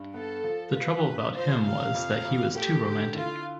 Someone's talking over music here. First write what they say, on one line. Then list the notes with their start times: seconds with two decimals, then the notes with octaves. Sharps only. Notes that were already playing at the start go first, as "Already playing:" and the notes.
The trouble about him was that he was too romantic.
Already playing: G2
0.14 B3 A4
0.44 F3
0.75 F4 B4
1.04 G2
1.34 F3 C5
1.64 C3 F5
1.95 F2
2.25 F2
2.55 A3 G4
2.85 D3 G4
3.15 E4 F4